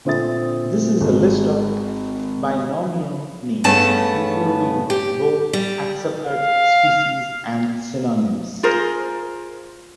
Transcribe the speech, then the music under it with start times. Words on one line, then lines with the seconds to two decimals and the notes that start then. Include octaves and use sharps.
This is a list of binomial names, including both accepted species and synonyms.
0.05 A#2 D3 C4 E5 D#6 A6
1.01 G#1 G#3
3.64 G2 C#3 A3 B3 C#4 A5
4.90 G4
5.53 G3
6.26 F5
8.63 F4 G#4 A#4 C5